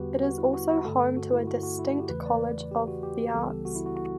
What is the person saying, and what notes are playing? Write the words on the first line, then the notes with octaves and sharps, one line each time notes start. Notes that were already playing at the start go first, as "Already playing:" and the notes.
It is also home to a distinct College of the Arts.
Already playing: E2 D3 G3 B3 F#4 G4 B4
F#4
E4
F#4
F#4
G2 D3 A3 A4
F#4
E4
F#4
F#4
E4
F#4
G4
E2 C#3 E3 A3 B4
D5
G4
F#4
G4
C#2 C#3 E3 G3 B3 A4
G4
F#4
E4
F#4
F#4